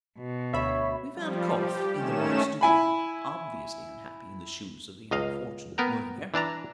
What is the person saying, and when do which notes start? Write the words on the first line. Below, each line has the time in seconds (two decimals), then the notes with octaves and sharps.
We found Kauf in the large studio, obviously unhappy in the shoes of the unfortunate Werner.
0.19 B2
0.53 D2 C#5 E5 B5
1.13 F3 G3
1.49 G4
1.92 D#3 A3 C#4 E7
2.61 E4 G#5 B5
5.11 C#2 D#5 F5
5.78 B3 A#4 G5 A#5
6.34 E3 D4 A5 A#5